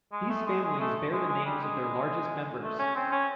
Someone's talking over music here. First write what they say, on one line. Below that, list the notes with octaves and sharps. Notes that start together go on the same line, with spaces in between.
These families bear the names of their largest members.
G#3
A3
G#3
G#3
A3
G#3
G#3
G3
G#3
A3
C#4
C4
C#4